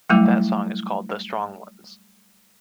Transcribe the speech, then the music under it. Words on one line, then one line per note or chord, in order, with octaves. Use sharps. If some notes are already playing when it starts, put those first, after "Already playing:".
That song is called "The Strong Ones".
F#3 G3 A3 E4